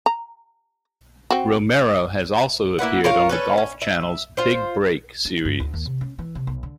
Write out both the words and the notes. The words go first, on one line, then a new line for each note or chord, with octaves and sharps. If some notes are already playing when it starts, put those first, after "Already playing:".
Romero has also appeared on The Golf Channel's "Big Break" series.
A#5
C4 F#4
A#3 E4 B4 F#5
F4 A#4 C#5 F5
C#4 A4 B4
C#4
E5
F4 C5
D4
G2
D2
D#2
C3
C#4
E3
C3
B1
D3